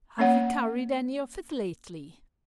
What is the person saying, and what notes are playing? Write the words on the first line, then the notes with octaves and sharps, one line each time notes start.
"Have you carried any of It lately?"
A#3 C#4 C#5 F#5